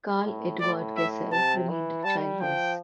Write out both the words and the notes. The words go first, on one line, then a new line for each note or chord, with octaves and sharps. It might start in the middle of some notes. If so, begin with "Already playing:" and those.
Carl Eduard Gesell remained childless.
A2
A2 D5
E5
C3 A5
E3
G3 A5
F3 G5